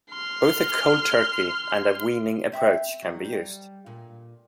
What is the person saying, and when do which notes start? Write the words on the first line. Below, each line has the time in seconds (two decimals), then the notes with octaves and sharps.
Both a "cold turkey" and a "weaning" approach can be used.
0.11 C6 F6
2.52 C4 E5
3.02 F#3
3.25 G3
3.86 A#2